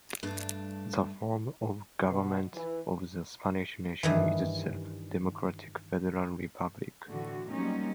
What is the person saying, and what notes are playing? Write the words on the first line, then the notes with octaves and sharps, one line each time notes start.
The form of government of the Spanish Nation is the Democratic Federal Republic.
G2 A3 D4
B2
E3
G2 D#3 E3
A2 D3 E3 F#4
F#3 G3 A#3 C4 C#4 D#4